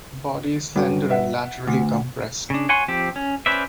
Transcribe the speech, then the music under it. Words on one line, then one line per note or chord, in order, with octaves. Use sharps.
The body is slender and laterally compressed.
G2 F#3 C#4 F#4
B4 E5 F#5
D2
C#3 D4
C#5 F#5 G#5 C6 C#6
F3 C4 G4
C#4
C#4 B4 C5 D5 E5